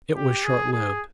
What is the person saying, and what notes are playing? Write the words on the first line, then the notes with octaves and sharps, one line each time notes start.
It was short-lived.
G4
G#4
G#4